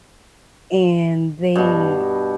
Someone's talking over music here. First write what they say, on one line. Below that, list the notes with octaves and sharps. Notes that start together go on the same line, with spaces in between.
and they
G2 B2